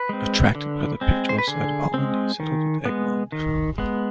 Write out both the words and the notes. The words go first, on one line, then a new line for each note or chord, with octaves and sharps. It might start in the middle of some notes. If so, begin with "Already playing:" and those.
Attracted by the pictorial side of Holland, he settled at Egmond.
Already playing: B4
G#3 C4
D3
G#3 C4
C5
B4
D3 G#4
G#3 C4
D#3
G#3 B3
D#3
G#3 B3